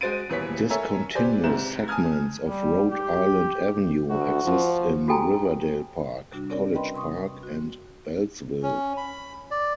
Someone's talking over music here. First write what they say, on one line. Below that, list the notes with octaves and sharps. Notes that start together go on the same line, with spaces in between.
Discontinuous segments of Rhode Island Avenue exist in Riverdale Park, College Park, and Beltsville.
G#3 F#4 C5 A6 D7 D#7
D#1 E3 B3 C#5 B6
A4 A#4 C#5 E5 G#5 A#5
G4 B4 C5 D5 G#5
G#2 C3 E4 B4 E7
G#5 A5 D#6 F6 G#6
G3
G4
D2 F#4
F3
F#4 G4 A4 G5 G#5 A#5
C3 G3 D4 F#4
C4 C#4 A#4 C#5 D5
B4 D#5 G5 B5 C6
C3 C6 C#6 D#6
F#4
C#4
B5
D5